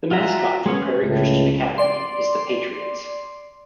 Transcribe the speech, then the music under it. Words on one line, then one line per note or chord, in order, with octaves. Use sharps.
The mascot for Prairie Christian Academy is the Patriots.
F4 F#4 E5 A#5
G#3 B3 C#4 G#4
C#2 A2
D5 C6